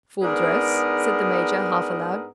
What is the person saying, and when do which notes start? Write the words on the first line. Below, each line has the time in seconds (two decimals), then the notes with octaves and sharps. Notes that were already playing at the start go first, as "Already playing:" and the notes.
"Full dress?" said the major, half aloud.
0.22 G#2 B3 D4 G#4 A#4